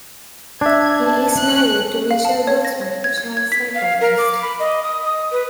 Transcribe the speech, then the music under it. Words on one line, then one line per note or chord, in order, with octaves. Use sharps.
He is married to Michal Grossman, a child psychologist.
D4 E5 G#6
A5
F#6
F5
A5
C#5
A#6
C#5
G#6
G#6
G#6
B6
F5
A#4
D6
B5
D#5
D#6
D#6
B4